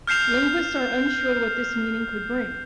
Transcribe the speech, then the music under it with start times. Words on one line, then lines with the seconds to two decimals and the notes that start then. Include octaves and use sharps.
Linguists are unsure what this meaning could bring.
0.07 F6 G6 C7 E7 F7